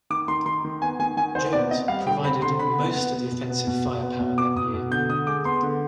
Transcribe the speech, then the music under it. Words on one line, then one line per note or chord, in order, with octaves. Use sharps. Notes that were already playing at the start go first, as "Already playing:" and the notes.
Jones provided most of the offensive firepower that year.
D#3 D6
D#3 C6
D#3 C6
D#3
B3 G#5
D#3 G#5
D#3 G#5
D#3 C5
B3 D5
C4 D#5
G3 F5
D3 G5
C4 B5
D3 C6
D3 B5
B3
B3
B3
B2
B3
B2
B2
B3
B2
B3 D6
B2 D#6
B2
D3 G6
D3 D#6
G#3 D6
B3 C6
D3